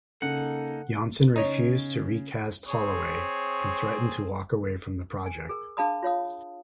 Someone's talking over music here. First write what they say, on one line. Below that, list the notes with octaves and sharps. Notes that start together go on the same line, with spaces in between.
Janssen refused to recast Holloway and threatened to walk away from the project.
C#3 A#3 D#4 A4 F#5
C#3 D#4 C#5
C4 G#4 C#5
G#5
G#4 A#4
D4 G#4 F5 A5 B5 D#6
F4 C#5 F5 D#6